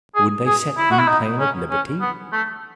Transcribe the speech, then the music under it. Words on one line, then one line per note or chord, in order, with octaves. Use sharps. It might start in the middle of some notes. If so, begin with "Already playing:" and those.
Would they set Gwynplaine at liberty?
G#4
G#4
E4
F#4
E4
D#4
C#4
C#4
B3
A3